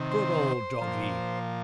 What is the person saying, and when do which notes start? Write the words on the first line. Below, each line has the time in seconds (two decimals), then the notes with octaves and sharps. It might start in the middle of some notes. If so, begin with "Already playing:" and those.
Good old doggy!
Already playing: C3 D#3
0.12 C5
0.82 F3
0.87 A#2